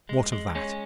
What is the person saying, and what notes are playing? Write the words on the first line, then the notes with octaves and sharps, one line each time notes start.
What of that?
G#3
G#3
G#3 C#4